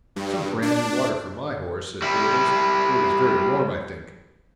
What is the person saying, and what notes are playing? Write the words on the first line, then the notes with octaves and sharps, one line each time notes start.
"Some bran and water for my horse," said Porthos, "for it is very warm, I think."
G2
D4
G3 E4